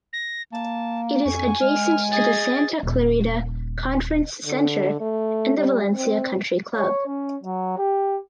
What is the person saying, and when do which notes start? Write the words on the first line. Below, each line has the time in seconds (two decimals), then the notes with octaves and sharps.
It is adjacent to the Santa Clarita Conference Center and the Valencia Country Club.
0.13 A#6
0.52 A#3 A5
1.25 F2 G#5 C#6
1.61 G#3 F6
2.11 G#4 D#5 A6
2.83 D#1
4.45 D3
5.01 A3
5.57 G3
5.95 C4
6.76 C#5
7.07 C#4
7.43 F#3
7.78 G4